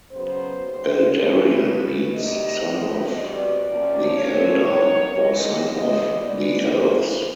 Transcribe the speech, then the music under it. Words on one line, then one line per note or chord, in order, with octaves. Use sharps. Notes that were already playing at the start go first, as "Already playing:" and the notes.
"Eldarion" means "Son of the Eldar" or "Son of the Elves".
C#3 F#3 B3 C5
D#2 C#3 F#3
G2 E3 A3 C4 B4
C#3 E3 A3
C3 D#3 G3 D#5
A2 F3 G#3 C4
B2 G3 C4 D5
C3 F3 A#3 C#4
A#2 F3 A3 C4 C#5
F#2 D#3 F#3 B3
G#2 E3 G#3 D#5
C3 E3 G#3 D#5
G#2 E3 G#3 B3 D4 D5
G#2 E3 G3 A#3 C5